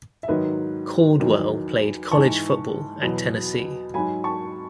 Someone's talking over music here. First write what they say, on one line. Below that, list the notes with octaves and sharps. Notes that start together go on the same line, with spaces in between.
Caldwell played college football at Tennessee.
E5
G#2 D#3 F#3 B4 D#5
E2 D#3 F#3
G#2 E3 A5 C#6
E2 B2 F#3
G#2 F#3 G#5 B5
A5 C#6